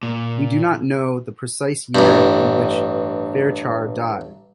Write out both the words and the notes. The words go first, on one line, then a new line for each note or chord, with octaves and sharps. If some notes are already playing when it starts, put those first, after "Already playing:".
We do not know the precise year in which Fearchar died.
A#2
A1 G2